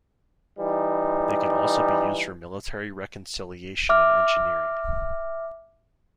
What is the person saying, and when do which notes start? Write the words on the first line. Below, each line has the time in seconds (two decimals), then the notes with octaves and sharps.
They can also be used for military reconciliation and engineering.
0.58 E3 G3 D#4
3.89 E5 D6 F6